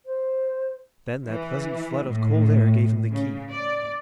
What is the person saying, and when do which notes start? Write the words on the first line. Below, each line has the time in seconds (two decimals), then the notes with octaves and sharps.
Then that pleasant flood of cold air gave him the key.
0.06 C5
1.27 E3
2.05 A2
3.11 C#3
3.51 D5